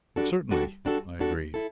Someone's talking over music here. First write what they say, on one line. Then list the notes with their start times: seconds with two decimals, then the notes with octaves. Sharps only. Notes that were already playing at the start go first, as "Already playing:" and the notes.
"Certainly!" I agreed.
0.16 G3 D4 F#4 A4
0.51 G3 D4 F#4 A4
0.85 G3 D4 F#4 A4
1.19 G3 D4 F#4 A4
1.54 E4 A4